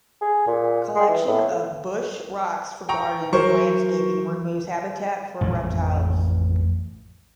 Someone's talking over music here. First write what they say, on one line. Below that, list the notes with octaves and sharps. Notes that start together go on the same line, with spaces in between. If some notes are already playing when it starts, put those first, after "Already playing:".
Collection of bush rocks for gardens and landscaping removes habitat for reptiles.
G#4
A#2
G#3
E3
A2
G5 A#5 C#6
F#3 A#4 C5 C#6
A1 F2 A2 G#3